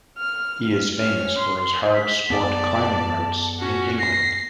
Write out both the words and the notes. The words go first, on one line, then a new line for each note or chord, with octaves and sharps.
He is famous for his hard sport climbing routes in England.
F6
C#4 F6
C6
B6
F#2 B3 D5 A5
C#4 F#4
A#6 C7